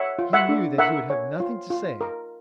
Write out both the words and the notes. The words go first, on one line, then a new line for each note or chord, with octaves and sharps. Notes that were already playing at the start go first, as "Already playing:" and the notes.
He knew that he would have nothing to say.
Already playing: C#5 E5 F#5
F4
E5 F#5
D4
A#4 E5 F#5
C#5
F4
F4
A#4